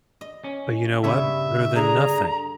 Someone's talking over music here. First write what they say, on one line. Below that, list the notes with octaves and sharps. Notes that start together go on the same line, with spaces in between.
But you know what? Better than nothing.
D#5
C#4
G2 C#3 B3 C5 E5
D3 G#4 A#5